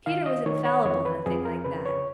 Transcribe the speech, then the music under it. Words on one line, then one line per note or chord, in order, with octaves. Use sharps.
Peter was infallible in a thing like that.
D#3 F5
D#5
D#3 C#5
C#5
F2 C#5
B4
F2 G#4
A#4
C#3 B4
C#5